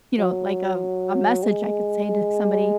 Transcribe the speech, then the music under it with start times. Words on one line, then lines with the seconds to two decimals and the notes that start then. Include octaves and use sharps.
you know, like a a message I could say to somebody,
0.19 F#3
1.43 G#3